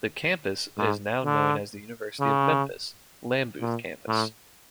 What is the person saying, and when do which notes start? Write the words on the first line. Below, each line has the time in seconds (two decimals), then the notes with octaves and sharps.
The campus is now known as the University of Memphis - Lambuth Campus.
0.78 G#2
1.25 D3
2.20 C#3
3.61 A#2
4.08 A2